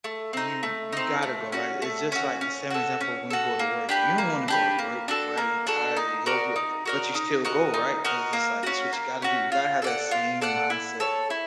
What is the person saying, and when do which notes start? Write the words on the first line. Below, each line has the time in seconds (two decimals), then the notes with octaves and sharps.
you you gotta go, right? It's just, like, the same example when you go to work. You don't wanna go to work, right? You're tired. You're over it, but you still go, right? ‘Cause it's just like that's what you gotta do. You gotta have that same mindset
0.04 A3
0.33 C4 D#4
0.63 A3
0.93 C4 D#4
1.23 A3
1.52 C#4 F#4
1.82 A3
2.12 C#4 F#4
2.41 C#4
2.71 F#4 A4
3.01 C#4
3.30 F#4 A4
3.59 A#3
3.89 D4 G4 B4
4.18 A#3
4.48 D4 G4 B4
4.79 A#3
5.08 D4 F#4 A4
5.37 A#3
5.67 D4 F#4 A4
5.97 D#4
6.26 F#4 A#4 D5
6.56 D#4
6.85 F#4 A#4 D5
7.15 D#4
7.45 F#4 A#4 D#5
7.74 D#4
8.05 F#4 A#4 D#5
8.33 A#3
8.63 C#4 F#4
8.93 A#3
9.22 C#4 F#4
9.52 F4
9.82 A4 D5 F#5
10.11 F4
10.41 A4 D5 F#5
10.70 E4
11.00 A4 C#5
11.30 E4